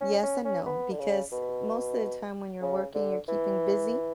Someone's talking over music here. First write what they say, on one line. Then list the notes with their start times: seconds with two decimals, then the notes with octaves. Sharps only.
Yes and no, because most of the time when you're working, you're keeping busy,
0.01 C#4
0.23 C#4
0.45 C#4
0.66 B3
0.92 D3
0.99 C#3
1.32 B2
2.62 C#3
2.95 D3
3.28 E3